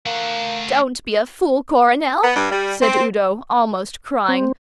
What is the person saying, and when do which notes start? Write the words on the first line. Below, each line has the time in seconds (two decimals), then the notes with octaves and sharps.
"Don't be a fool, Coronel," said Udo, almost crying.
0.06 A3 A#3 F#5
2.22 B3
2.36 G2
2.51 G3
2.81 C4
4.29 C4